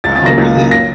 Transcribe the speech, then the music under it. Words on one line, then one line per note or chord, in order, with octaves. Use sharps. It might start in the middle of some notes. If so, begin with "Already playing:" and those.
Oh, really?
C#2 A6
A6
C#3 F#3 A#3 A#6
C#2
C#3 F#3 A#3
A#6